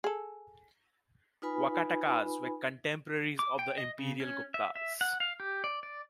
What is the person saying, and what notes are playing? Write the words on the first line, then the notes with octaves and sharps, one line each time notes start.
Vakatakas were contemporaries of the Imperial Guptas.
G#4 A4
D#4 F4 B4 G#5 B5
D6
G5
D#5
C#3
C#4
E5
E5
F#5
F5
G4
D5
D5